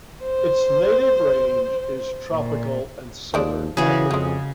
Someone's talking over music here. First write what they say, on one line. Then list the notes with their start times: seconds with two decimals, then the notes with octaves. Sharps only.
Its native range is tropical and southern Africa.
0.22 C5
2.31 A#2
3.34 D#2 F3 G#3 D5
3.77 C#3 E3 F#4 G#4
4.11 F2 G#3 C#4